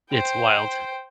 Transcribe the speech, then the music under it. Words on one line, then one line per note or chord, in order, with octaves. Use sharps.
It's wild.
C5 G5